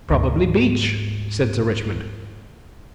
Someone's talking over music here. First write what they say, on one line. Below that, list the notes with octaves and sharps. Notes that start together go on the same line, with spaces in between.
"Probably beech," said Sir Richmond.
D2 G#2